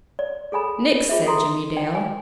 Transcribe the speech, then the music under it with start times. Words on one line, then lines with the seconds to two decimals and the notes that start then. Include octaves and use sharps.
"Nix!" said Jimmie Dale.
0.19 D5
0.52 G#4 A4 G#5 B5
1.09 F4 G#4 E5
1.27 A4 A#5 C6
1.77 G5
1.95 G#5